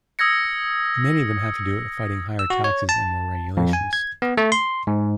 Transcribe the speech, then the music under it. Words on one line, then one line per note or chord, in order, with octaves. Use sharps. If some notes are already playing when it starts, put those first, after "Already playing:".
Many of them have to do with fighting higher taxes and more regulations.
D#6 E6 G#6 A#6 C#7
E6
F#4
C#5
A5
F2
G#5
G#6
B3
A3
C6
G#2